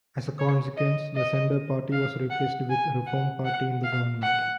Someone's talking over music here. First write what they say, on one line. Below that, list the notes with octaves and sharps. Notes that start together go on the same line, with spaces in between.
As a consequence, the Centre party was replaced with Reform Party in the government.
C#5
D#5
D#5
F5
F#5
G#5
F#5
F#5
F5
F#5